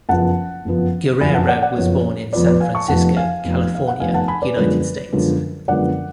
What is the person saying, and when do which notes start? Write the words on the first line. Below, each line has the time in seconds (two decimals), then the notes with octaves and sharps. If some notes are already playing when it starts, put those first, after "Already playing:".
Guerrero was born in San Francisco, California, United States.
0.09 F#1 F2 F3 B3 F#5 A5
0.65 F#1 F2 F3 B3
1.20 F#1 F2 F3 B3 G#5 B5
1.35 F#5 A5
1.48 D5 F#5
1.62 D5 F#5
1.77 F#1 F2 F3 B3 C#5
2.33 F1 F2 F3 B3 B4 D5
2.46 B4 D5
2.60 F5 G#5
2.75 A5 C#6
2.88 F1 F2 F3 B3 F#5 A5
3.16 F5 G#5
3.44 F1 F2 F3 B3
3.75 F5
3.88 F#5
4.00 F1 F2 F3 B3 F5 G#5
4.14 F#5 A5
4.28 G#5 B5
4.42 B4 D5
4.56 F#2 D3 F3 G#3 B3 B4 D5
5.12 F#2 D3 F3 G#3 B3
5.68 F#2 D3 F3 G#3 B3 D5 F#5